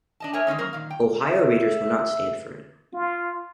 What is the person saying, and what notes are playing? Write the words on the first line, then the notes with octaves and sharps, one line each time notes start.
Ohio readers would not stand for it.
D4 D#5 A5
A#4 C#5 E5 G#5
D#3 G#3 C#4 D#4
F#3 A#3 A#4 C5
A#2 D#3 F5
G5
E5
F4